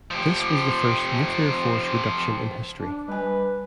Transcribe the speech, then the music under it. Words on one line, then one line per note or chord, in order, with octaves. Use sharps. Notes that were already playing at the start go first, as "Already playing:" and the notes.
This was the first nuclear force reduction in history.
F3 G4
D4
G3 B4 G#5